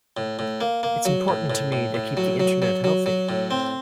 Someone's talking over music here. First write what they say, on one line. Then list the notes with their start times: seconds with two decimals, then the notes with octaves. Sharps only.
Itâs important to me to keep the Internet healthy.
0.17 A2
0.39 A2
0.61 A#3
0.83 A#3
1.05 F#3
1.28 A2
1.50 A2
1.72 A2
1.94 A2
2.17 F#3
2.40 F#3
2.62 F#3
2.84 F#3
3.06 F#3
3.29 A2
3.51 C4